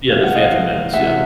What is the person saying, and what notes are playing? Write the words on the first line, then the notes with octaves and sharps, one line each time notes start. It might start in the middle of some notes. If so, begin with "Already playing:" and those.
Yeah, The Phantom Menace, yeah.
C3 E3 G#3 F5
F#5
D#5 F5
C3 E3 G#3 E5 F#5